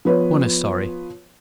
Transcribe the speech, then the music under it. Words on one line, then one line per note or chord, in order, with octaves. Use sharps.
One is sorry.
F3 B3 B4 C#5